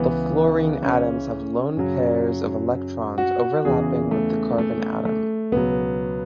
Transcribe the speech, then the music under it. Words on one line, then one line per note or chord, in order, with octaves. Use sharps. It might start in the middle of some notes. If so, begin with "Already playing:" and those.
The fluorine atoms have lone pairs of electrons overlapping with the carbon atom.
Already playing: C#2 C#3 E3 B3
C#4
F#2 C#3 F#3
F#4
E2 C#3 E3 G#4
A3
A3
A3
C#2 B2 F#3 B3